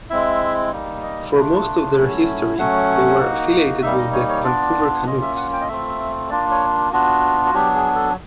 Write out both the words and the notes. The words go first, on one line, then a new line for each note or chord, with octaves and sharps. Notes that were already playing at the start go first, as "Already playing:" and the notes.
For most of their history, they were affiliated with the Vancouver Canucks.
G#3 C4 E4 E5
G3 A#3 D#4
D#5
A3 D4 F4
F#3 A3 C#4 E4
F#3 A3 C#4 F#5
A#3 D#4 F#4
G3 A#3 D#4 E5
D#5
C#5
C#5
B3 D4 F4 D5
A#3 C#4 F4 D#5
E5
F#5
G5
D#5
A3 C4 F4 E5
A#3 D4 F4 D5
C#5
B3 D4 F4 F#4
F#4
F#3 B3 D4 G4
G#4
A4